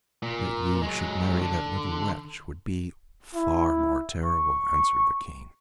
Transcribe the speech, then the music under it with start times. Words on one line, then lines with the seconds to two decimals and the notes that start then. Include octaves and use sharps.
"That you should marry that little wretch would be far more terrible," answered the King.
0.23 A#2
0.82 F#3 G#3
1.41 D3
3.35 E4
4.25 C#6